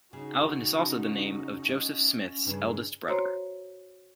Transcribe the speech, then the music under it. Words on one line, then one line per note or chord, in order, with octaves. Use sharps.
Alvin is also the name of Joseph Smith's eldest brother.
C#3 D#4 F#4
C#4
F4 D#5
G2 C#3 E3 D4
F#4 C5 C#5 A#5 C6